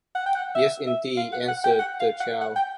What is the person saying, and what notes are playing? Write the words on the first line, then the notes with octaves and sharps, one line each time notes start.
"Yes, indeed;" answered the child.
F#5
G5
F#5
E5
E5
F5
F#5
F#5
G5
F#5
F5
F#5
F#5
G5